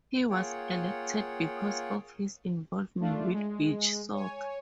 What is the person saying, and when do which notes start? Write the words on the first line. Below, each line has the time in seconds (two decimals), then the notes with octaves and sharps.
He was elected because of his involvement with beach soccer.
0.30 A#3 F4 G#4 C#5 F#5 G5
3.00 A3 D4 F4
3.33 G#3
4.13 C#5 G#5